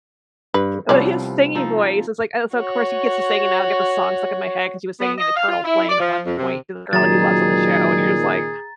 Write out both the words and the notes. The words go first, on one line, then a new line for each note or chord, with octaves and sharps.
But his singing voice is like, "Oh, so of course he gets to sing, and now I'll get the song stuck in my head," 'cause he was singing an Eternal Flame at one point to the girl he loves on the show, and you're just like,
G2 B4
C2 C3 F3 B3 C4 C#5 D5
F3 D#4 A4
F#4 C#5
B3
D#5
F5
F4
E4
D5
F3
F2
C3
C#2 A#2 D#3 F#3 G#4 A#5 A6